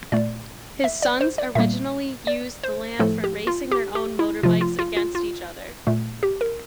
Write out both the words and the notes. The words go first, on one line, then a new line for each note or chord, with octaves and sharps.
His sons originally used the land for racing their own motorbikes against each other.
A#2 A3 D5
E5
D5
C5
D5
A#2 G3 A#3 E5
D5
C5
A2 F3 A3 A4
G4
F4
G4
G4
E4
C3 F3 A3 F4
F4
F4
F4
F4
A#2 A3
G4
A#4